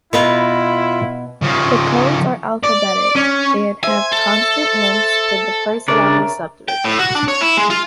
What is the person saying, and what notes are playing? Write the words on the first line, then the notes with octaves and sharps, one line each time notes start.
The codes are alphabetic and have constant length for the first level subdivisions.
B2 B3 E4 F4 A#5
C#3 F3
D5
C#4
C5 E5 G#5
A4
C#3 D4 A#4 C#5 D5 E5
G5
A2
F#4
D4
C#5
E4
G#3
F4